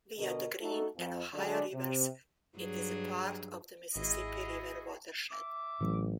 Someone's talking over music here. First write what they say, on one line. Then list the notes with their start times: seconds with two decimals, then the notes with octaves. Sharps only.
Via the Green and Ohio rivers, it is part of the Mississippi River watershed.
0.18 B2 D3 A#4 D#5
0.60 A3 D#4 F#4 A4
0.97 F2
1.34 D3 F#3 G#3 D4
1.73 C3
2.57 G2 F#3 G#4
3.96 G#1 E4 F#4 G#4 D#5
5.31 E5 D6
5.80 A1 A2 E3 F#3